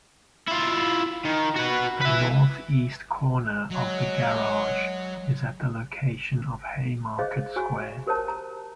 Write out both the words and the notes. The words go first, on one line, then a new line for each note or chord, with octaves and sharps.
The northeast corner of the garage is at the location of Haymarket Square.
E4 F4
D#3
F#4 B4
B4 E5
F#3 G#3 C#5
G#4 C5 C#5 D#5 F5
F#4 C#5 G#5 C#6
G4 A#4 C5 C#5 A5
A#5